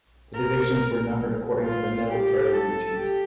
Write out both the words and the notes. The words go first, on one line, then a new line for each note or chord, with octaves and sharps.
The divisions were numbered according to the military regions.
A#4
F4
G4
A4
G4